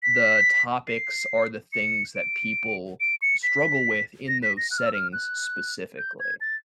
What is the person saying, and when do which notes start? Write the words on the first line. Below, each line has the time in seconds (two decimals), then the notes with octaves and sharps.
the topics are the things that people struggle with in those settings specifically.
0.03 B6
0.87 C7
1.73 C#7
2.16 D7
3.00 D7
3.22 C#7
3.43 B6
4.28 A#6
4.43 B6
4.57 A#6
4.71 F#6
4.78 F6
4.86 E6
4.93 F6
5.13 F#6
5.98 G6
6.19 G#6
6.41 A6